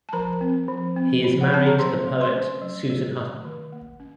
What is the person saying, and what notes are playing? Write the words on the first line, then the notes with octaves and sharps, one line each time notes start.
He is married to the poet Susan Hutton.
A5
F3 A#4 A#5
C4
F3
C4
F3
F#5
C4 A5
A#5
F#3 C5 C6
A3
C5 C6
C#4
F#3
F#3
A3
D#3
A#3
C#4